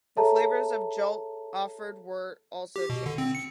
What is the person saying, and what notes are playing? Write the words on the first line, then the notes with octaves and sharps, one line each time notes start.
The flavors of Jolt offered were also changed.
G#4 A4 C#5 E5 A5 A#5
G4
B2
D3
C4
C#7